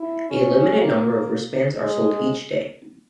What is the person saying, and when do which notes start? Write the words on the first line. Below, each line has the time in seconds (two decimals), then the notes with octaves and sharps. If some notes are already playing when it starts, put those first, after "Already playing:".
A limited number of wrist bands are sold each day.
Already playing: E4
0.30 C#4
0.79 A#3
1.80 G#3